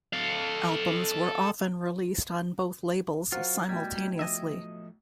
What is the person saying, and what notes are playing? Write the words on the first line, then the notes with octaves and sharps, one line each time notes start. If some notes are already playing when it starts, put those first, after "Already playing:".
Albums were often released on both labels simultaneously.
A4 F5
F#3 F4 F#4 A#4 C5 F5 F#5
B1 A2 F#3 G3 G5 G#6
F3 A3 D#5 E5